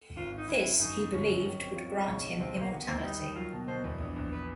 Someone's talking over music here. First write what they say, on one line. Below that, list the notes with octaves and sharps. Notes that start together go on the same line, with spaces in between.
This, he believed would grant him immortality.
G#1 F4
G#1
D#4
G#1 E4
C#3
F#2 D#4
C#3
G1 C#4
F#3
D#3 C#4
C4
F4
G#3
B1
B1
B3
B1 C4
B1 A#3
D#3 B3
D#2 C4
E4
G3 D#4
D#3
F#3 F4
B2
B2 C5
E2 B4
A#1
A#1
B4